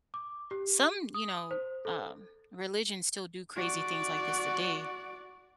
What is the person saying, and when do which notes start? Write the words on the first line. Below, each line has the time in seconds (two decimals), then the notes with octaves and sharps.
some, you know, uh, religions still do crazy things like this today,
0.14 D6
0.51 G4
1.14 D#6
1.51 C5
1.85 A4
3.56 F#4 D5